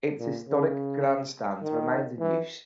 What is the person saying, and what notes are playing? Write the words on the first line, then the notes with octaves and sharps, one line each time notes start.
Its historic Grand Stand remains in use.
A#2
C#3
D#3
E3